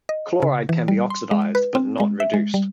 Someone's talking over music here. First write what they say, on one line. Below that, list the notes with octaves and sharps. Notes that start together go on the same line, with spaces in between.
Chloride can be oxidized but not reduced.
D#5
C#3
E3
G3
C6
G#3
B4
C4
G#3
E5
G#3
G3